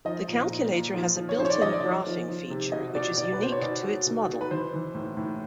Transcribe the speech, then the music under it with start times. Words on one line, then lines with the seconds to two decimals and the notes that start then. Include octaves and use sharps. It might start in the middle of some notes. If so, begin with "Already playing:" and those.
The calculator has a built in graphing feature which is unique to its model.
0.05 F3 D#5
0.28 A#2
0.50 A#2
0.72 A#2
0.94 F3
1.17 F3
1.29 C#5
1.39 F3 C5
1.45 C#5
1.50 D5
1.61 F3 D#5
1.73 D5
1.84 F3
2.06 F3
2.28 F3
2.50 C3
2.72 B2 D#5
2.95 B2 D5
3.17 B2 D5
3.33 B4
3.39 B2 C5
3.52 C#5
3.61 B2 D5
3.83 B2
4.06 B2
4.29 B2
4.41 B4
4.51 E3 C5
4.73 E3
4.95 A2
5.17 A2